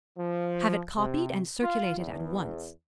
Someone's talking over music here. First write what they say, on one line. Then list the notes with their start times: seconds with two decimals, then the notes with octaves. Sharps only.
Have it copied and circulate it at once.
0.18 F3
0.97 C3
1.62 F4
1.98 E2